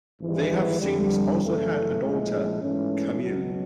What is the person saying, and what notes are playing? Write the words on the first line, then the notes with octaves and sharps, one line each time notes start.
They have since also had a daughter, Camile.
G#1 G#2 E3 G3
F2 D3 G3
F#2 C#3 E3 A3
A#1 A2 F3 G#3
G#2 E3 A3 C#4
C#2 B2 F#3